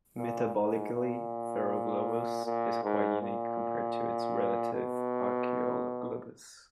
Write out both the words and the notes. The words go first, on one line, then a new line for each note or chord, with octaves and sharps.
Metabolically, "Ferroglobus" is quite unique compared to its relative "Archaeoglobus".
A#2
G#2
A#2
A#2
G#2
A#2
B2